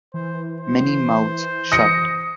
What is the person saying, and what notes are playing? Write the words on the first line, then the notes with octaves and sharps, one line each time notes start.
Many Mouths Shut!
E3 C5
C5
D#6 A#6 C#7